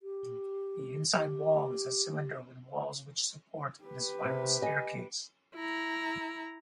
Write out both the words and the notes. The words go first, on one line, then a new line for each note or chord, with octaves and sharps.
The inside wall is a cylinder with walls which support the spiral staircase.
G4
G4
G4 B4
C3
D#5 G#5
E4 A#5